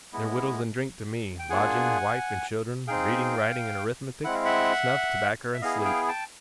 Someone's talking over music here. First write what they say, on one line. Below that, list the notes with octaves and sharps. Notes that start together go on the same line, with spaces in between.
They're wittles and drink to me--lodging, wife, and children--reading, writing, and Arithmetic--snuff, tobacker, and sleep.'
G#3 B3 E4
G5
A#3 D4 F4 G#4 F#5 G#5
C4 D#4 G#4 F5 G5
G#3 C4 E4 F#5
F5
E5 F#5
E5
B3 E4 G#4 D#5 F5
F5 G5
G5 A5